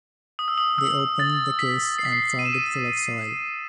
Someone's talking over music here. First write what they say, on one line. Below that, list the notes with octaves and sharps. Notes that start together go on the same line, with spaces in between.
They opened the case and found it full of soil.
D#6
E6
D#6
E6
A6
B6
C7
B6
C7
D#7
E7
D#7